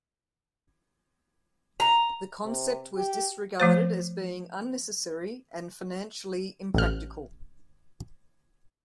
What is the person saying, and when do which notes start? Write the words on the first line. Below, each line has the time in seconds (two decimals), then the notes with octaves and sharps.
The concept was disregarded as being unnecessary and financially impractical.
1.80 A#5
2.45 C3
2.96 G4
3.60 F3 A3 C5
6.74 A1 F6